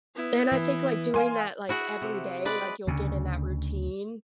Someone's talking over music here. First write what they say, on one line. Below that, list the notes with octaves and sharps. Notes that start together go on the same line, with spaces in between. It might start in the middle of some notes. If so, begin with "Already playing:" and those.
And I think, like, doing that, like, every day, like, you'll get in that routine,
B3 E4
E3
A#3 F5 G#5 C6
E4 F#4 G#4
C3
G#3 B4 D5
D2 C#3